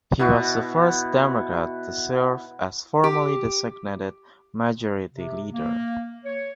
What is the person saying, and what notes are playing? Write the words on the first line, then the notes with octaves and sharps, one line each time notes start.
He was the first Democrat to serve as formally designated Majority Leader.
B2 E4 F#4
G4
C3
A#3
C#5